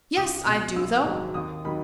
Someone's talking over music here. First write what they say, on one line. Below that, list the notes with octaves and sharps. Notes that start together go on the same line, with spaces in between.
Yes, I do, though.
C#2 D#6
B2 G#3
A#1 E6
G#2 D#3 F#3
D#2 D#6
D#3 F#3 B5